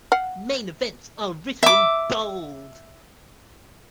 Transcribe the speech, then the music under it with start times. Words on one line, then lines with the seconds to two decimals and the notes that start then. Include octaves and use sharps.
Main events are written in bold.
0.12 F5 F#5
1.63 E5 D6